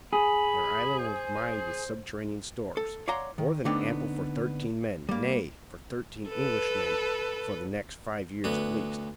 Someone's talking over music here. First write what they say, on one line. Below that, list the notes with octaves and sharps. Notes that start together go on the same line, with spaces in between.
Their island was mined with subterranean stores, more than ample for thirteen men--nay, for thirteen Englishmen--for the next five years at least.
G#4 B5
C5
A4
C#5 D5 F5 F#5 A#5 C6
D#3
D3 A3 B3 C4 D4 D#4
G3 A#3
A4 B4
D2 B3